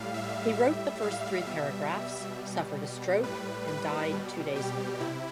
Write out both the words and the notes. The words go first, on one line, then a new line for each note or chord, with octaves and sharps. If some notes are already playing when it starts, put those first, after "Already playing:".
He wrote the first three paragraphs, suffered a stroke, and died two days later.
Already playing: A2 G3 F5
E5
A2 G3 E5
F5
B2 G3 E5
B2 G3
A2 G3 B4
B4
B2 G3
G4
C3 E4